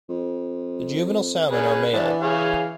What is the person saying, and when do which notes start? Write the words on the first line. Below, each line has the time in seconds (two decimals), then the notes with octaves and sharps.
The juvenile salmon are male.
0.09 F2
1.51 C#4 G#4 B4
1.93 E3 B3 D4
2.21 G#4 C#5 F5